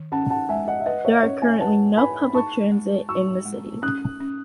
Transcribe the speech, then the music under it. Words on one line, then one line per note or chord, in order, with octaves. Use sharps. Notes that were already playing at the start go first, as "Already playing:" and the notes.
There are currently no public transit in the city.
Already playing: D#3
C#4 F#5 A5
F#5 A5
G#3 E5 G#5
D#5 F#5
E5
B4 D#5 F#5
C#5 E5
C#4 C#5
E5 G#5
B4 F#5 A5
B4 G#5 B5
D#4 A5 C#6
G#3
F#4 C#6 E6
G#3
C#4 D#6 F#6
C#4